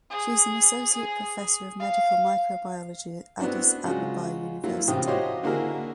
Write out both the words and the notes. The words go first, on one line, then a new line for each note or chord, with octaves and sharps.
She is an associate professor of medical microbiology at Addis Ababa University.
G#4
G#4
F5
B3 C4 D4 E4 F#4
C#3 F#3 G#3 F4 F#4
F#3 A#3 E4 F4
A1 C3 C4 F4 G5 D#6
F#4 G4 C5 C#5 D#5 F5
D3 A#3 E4 F#4 G#4 A#4